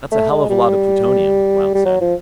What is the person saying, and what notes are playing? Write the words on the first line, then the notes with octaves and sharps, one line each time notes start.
"That's a hell of a lot of plutonium," Blount said.
A3
G#3
G3
G3
F#3
F3